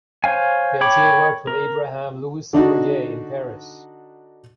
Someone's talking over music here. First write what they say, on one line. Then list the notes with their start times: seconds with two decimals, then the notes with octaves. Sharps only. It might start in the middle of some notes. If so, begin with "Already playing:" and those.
Peltier worked with Abraham Louis Breguet in Paris.
0.24 C5 C#5 F5 G#5
0.81 C#5 G5 B5 D6
1.47 A#4
2.53 D3 D4 D#4 F#4